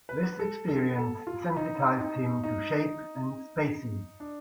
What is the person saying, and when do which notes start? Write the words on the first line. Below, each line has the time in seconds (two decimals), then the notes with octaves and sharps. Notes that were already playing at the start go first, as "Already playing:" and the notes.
This experience sensitized him to shape and spaces.
0.09 B4
0.39 A4
0.68 A4
0.98 A4
1.27 F4
1.57 D#4
1.99 D#4
2.44 D#4
4.20 D4